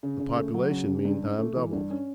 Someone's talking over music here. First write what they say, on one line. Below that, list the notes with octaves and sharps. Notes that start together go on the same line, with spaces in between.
The population meantime doubled.
C#3
C#3
A3
F#3
C#3
C#3
G2
C#4
A3
E3
G2
C#4